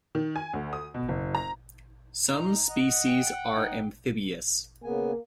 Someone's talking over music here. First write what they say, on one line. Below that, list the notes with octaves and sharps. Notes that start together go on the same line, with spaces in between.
Some species are amphibious.
D#3
G#5
D2
D#6
B2
F#1
A#5
D#4 A#5
D#5 F#5
G5
D#4
C#3 A#3 B3 G#5